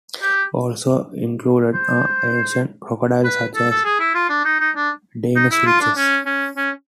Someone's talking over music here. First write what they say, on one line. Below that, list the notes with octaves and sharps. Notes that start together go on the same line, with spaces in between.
Also included are ancient crocodiles such as "Deinosuchus".
G4
C5
B4
A4
A4
G#4
E4
F4
D4
D#4
D#4
D4
D#4
E4
F4
D4
C#4
C#4
C#4